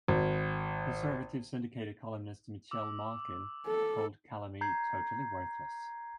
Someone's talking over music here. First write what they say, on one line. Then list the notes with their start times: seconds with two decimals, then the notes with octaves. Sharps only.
Conservative syndicated columnist Michelle Malkin called Calame "totally worthless".
0.08 G#1
2.71 D6 E6
3.67 A4
4.61 A#5 G6 G#6 C7